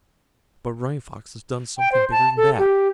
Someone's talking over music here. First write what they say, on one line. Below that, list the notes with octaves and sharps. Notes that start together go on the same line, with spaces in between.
But Running Fox has done something bigger than that.
G5
C5
A5
A4
G4